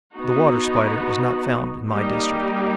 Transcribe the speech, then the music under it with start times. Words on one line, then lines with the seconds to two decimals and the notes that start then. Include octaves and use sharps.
The Water Spider is not found in my district.
0.14 B3 D#4 F#4
1.88 G3 A#3 D#4 G4